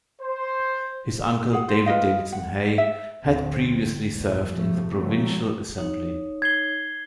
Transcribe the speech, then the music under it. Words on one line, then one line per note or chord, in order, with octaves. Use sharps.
His uncle David Davidson Hay had previously served in the provincial assembly.
C5
G#4 F#5
C5
F4 B4 D#5 F5
F#5
E5
F1 D2 A2 C4
A#1 E2
F2 A2 C3 F3 A3
C#3 F3 F#3 G#3 A3 C4
D#4 C#5
G#6 C7 G7